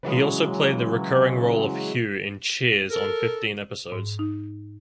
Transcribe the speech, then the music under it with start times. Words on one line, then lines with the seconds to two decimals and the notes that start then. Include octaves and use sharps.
He also played the recurring role of "Hugh" in "Cheers" on fifteen episodes.
0.03 C#3 E3 F#3 G#3
2.90 A4 A#4
3.92 G#2
4.19 D#4